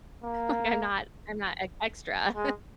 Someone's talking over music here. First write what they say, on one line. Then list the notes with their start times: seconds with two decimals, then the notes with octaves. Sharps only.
like, I'm not I'm not ex extra,
0.24 A#3
2.36 G#3